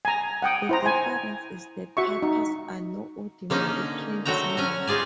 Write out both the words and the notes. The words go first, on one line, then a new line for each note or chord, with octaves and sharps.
The difference is the pipers are no ordinary tradesmen.
G#5 A#5
F#5 G5 D#6
E4 C5 A#5
G#5
F#4 E5 C#6
D#4
D3 A#3 C#4 D#4
D3 F#3 A3 F#4 G5 A#5
C#4 G#5 A#5
D#4 F4 G#4 D5 G#5